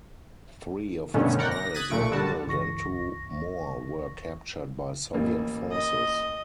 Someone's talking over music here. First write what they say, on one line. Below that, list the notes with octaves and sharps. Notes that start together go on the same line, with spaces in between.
Three of its pilots were killed and two more were captured by Soviet forces.
G2 B2 D3 D#3 A3 C#4
A#4 D5 F#5 G5
A#6
D#6 F#6 G#6 A6 B6 D#7
B1 A#2 A3 C#6 D7
D3 G3 F#4 A5
G1 C#2 E3 C#6 A#6
A1 A#3
D#5